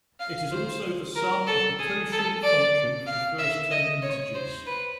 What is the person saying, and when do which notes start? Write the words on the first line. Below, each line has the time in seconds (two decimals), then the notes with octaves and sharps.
It is also the sum of the totient function for the first ten integers.
0.20 F5
0.52 C5
1.16 A#4
1.47 A4
1.79 G#4
2.12 A4
2.43 D5
3.07 F5
3.39 E5
3.71 D#5
4.03 C#5
4.35 C5
4.67 B4